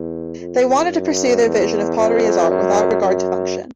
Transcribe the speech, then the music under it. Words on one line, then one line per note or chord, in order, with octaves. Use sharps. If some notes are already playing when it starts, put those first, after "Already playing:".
They wanted to pursue their vision of pottery as art, without regard to function.
Already playing: E2
F2
F#2
E2
F2
F#2
F#2